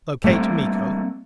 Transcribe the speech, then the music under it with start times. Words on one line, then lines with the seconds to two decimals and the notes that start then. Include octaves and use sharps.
Locate Miko.
0.24 G3 A3 A#3 C4